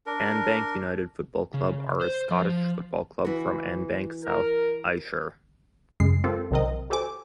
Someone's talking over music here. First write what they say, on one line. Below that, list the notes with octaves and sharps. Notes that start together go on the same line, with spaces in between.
Annbank United Football Club are a Scottish football club from Annbank, South Ayrshire.
D4 A#4
C#3
C5
F3
E3 F#4
A#4
F#2 C#3 G#3 C7
C4 F4 G4 A4 A#4 C5
B1 C3 D#3 C4 A#4 D#5
F#4 G4 A4 C5 G#5 D6